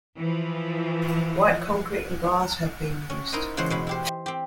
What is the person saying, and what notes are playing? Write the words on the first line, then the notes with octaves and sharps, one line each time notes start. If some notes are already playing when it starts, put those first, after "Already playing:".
White concrete and glass have been used.
E3 F3
C#4
D#4 E4 A#4 C5 D#5
C#3 E3 G#3 C5 F#5
B2 G#3 B5
E4 G4 C5
C4 G4